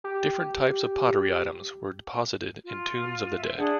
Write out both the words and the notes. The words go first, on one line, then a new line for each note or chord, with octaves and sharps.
Different types of pottery items were deposited in tombs of the dead.
G4
F4
E5
D4 G#4 F#5